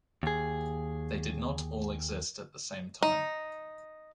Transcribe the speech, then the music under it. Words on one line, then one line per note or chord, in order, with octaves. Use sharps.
They did not all exist at the same time.
D#2 G#4
D#4